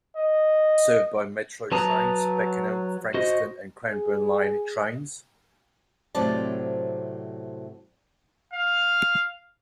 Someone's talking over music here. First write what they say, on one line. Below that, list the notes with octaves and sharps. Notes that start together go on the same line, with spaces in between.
It is served by Metro Trains' Pakenham, Frankston, and Cranbourne line trains.
D#5
F#3 B4 A5 A#5 D#6
F#4 C5 D#5
G#4
A2 C3 F#3 C4 D5 A5
F5